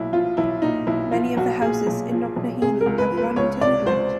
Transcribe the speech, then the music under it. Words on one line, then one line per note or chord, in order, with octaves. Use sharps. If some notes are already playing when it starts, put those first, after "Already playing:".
Many of the houses in Knocknaheeny have run into neglect.
Already playing: B1 A#2 E4
F3 F4
B1 E4
A#2 D#4
B1 E4
F3 F4
B1 F#4
A#2 G#4
B1
F3
B1
C3 G#4
A#4
C#2
B4
F3
B4
C#2 C#5
C3 D5
C#2 C5